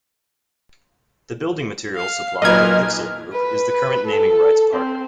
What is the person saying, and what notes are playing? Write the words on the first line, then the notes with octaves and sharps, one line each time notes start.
The building materials supplier Lixil Group is the current naming rights partner.
F5
B1 A#2 A#4 B4 D#5 F6 G#6
B4
A4
C4